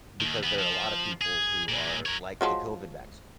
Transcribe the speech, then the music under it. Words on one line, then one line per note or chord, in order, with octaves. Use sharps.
because there are a lot of people who are like, the COVID vaccine
D#2 D#3
E3 B3
F3
G#4
A#2 G#3
A#4 C#5
F3 F#3 G#3